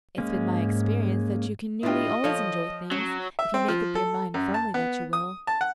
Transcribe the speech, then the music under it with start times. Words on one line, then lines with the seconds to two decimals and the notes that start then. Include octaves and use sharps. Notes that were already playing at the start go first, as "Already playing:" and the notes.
It's been my experience that you can nearly always enjoy things if you make up your mind firmly that you will.
0.18 G#2 G#3 A#3 C#4
1.83 A2 D4 E4 F4 G4 D#5
2.24 F3 A4 C#5 F5
2.92 F#3 C#4
3.39 E5
3.54 C4
3.68 F3
3.95 A4
4.34 F#2
4.54 A5
4.74 B3
5.13 D#6
5.47 A5
5.61 F#5